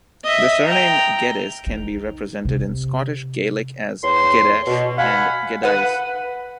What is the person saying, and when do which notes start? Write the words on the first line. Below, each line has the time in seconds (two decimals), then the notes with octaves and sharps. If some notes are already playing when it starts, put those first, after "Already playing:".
The surname Geddes can be represented in Scottish Gaelic as "Geadasach" and "Geadais".
0.24 D#5 E5
0.65 G5 A#5
1.67 D#3
2.45 C3
4.03 E2 C#5 C6
4.66 B2
4.97 F5 F#5 G#5 B5
5.63 B4 F#5